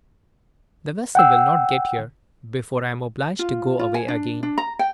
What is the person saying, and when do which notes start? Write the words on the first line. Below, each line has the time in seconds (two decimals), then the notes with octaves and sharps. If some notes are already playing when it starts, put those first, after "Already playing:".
"The vessel will not get here, before I am obliged to go away again."
1.15 F#5 G5 E6
3.39 F4
3.79 F4
3.94 G#5
4.08 D4
4.43 D4
4.58 A#5
4.79 G5